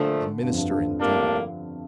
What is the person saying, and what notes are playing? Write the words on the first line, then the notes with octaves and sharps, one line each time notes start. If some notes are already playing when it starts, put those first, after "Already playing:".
"A minister indeed!"
Already playing: A#2 D3 F3 A3
G2
F2
G2
G2
A2 G3 A#3 D4